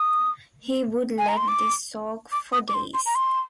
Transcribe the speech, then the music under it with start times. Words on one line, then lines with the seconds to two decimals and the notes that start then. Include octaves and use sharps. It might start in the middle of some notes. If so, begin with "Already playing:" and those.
He would let this soak for days.
Already playing: D#6
1.18 G#5
1.28 A#5
1.37 C6
1.48 D6
2.32 D6
2.53 D#6
2.68 D6
2.74 C6
2.94 C6
3.06 A#5
3.15 C6